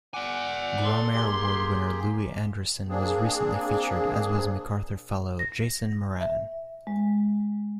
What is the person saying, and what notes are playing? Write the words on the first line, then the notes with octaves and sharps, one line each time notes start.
Grawemeyer Award winner Louis Andriessen was recently featured as was MacArthur Fellow Jason Moran.
D5 F#5 G#5 D6
A4 D5 C6
A#3 G4 G#4
A#3 C4 D4 G#4
A#6
E5
G#3